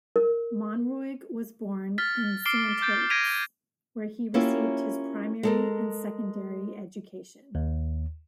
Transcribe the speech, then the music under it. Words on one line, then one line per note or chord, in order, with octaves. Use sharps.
Monroig was born in Santurce, where he received his primary and secondary education.
A#4
F6 A6 B6
D6 F6 C7 D7 G7
D6 G6 A6 D7
G#6 A#6 B6 D7 D#7 F7
A#3 C#4 E4 F4 G4
G#3 A4 A#4
D#2